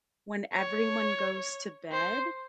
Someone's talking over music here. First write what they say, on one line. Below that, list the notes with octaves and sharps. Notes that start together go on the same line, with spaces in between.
when everyone goes to bed
C#5
C5